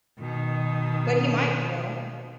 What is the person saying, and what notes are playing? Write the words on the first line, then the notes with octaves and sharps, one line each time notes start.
But he might, you know.
B2 D#3